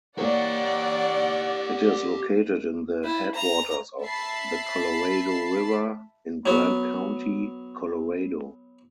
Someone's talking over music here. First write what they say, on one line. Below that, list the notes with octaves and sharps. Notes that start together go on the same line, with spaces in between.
It is located in the headwaters of the Colorado River in Grand County, Colorado.
A#3 G4 A#4 C#5 D5 F#5
E4
A#5
E5 A5 B5 A6 C7
F#3 B3